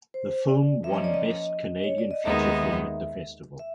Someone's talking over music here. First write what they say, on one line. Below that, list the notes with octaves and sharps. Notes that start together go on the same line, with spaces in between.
The film won Best Canadian Feature Film at the festival.
C5
D5
F3 A#3 C#4 E5
D#5
D5
D#5
C#5
D5
D#5
D#2 D#3 G#3 B3 D#4 E5
E5